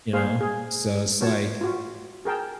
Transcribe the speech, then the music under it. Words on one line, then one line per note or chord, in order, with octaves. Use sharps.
you know? So it's like,
A#3 G#4 C5 F5
G#4
F4 F#4 C#5 A5
F4 F#4
G#4 A#4 G5 A5